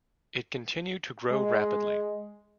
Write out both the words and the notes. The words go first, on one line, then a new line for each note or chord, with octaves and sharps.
It continued to grow rapidly.
G#3